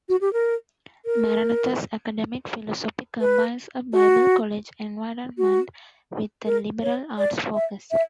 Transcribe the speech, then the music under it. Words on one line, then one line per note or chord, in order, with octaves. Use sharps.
Maranatha's academic philosophy combines a Bible college environment with a liberal arts focus.
F#4
G4
A#4
A#4
B4
F#4
F#4
A#4
C#5
D5
E5
E5